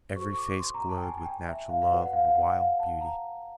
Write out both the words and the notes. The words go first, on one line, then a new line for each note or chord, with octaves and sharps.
Every face glowed with natural love of wild beauty.
F#4 A4 C5 C#6
C#6
D6
C6
A#5
A5
G5
G#5
G#5
G5
E5
F5
F5
F#4 B4 D5 F#5
F#5
F5
F5
F#5
F#5
F5
A5
A#5